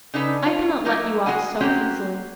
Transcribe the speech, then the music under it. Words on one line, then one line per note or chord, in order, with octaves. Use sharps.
I cannot let you off so easily.
C#3 D4 D#4 A4 B4
F4 C#5
F#3 A3 A#3 D#4 A#4
G#3 B3 F#4 G#4 F#5 G#5
A#3 C4 C#4 F#4 G4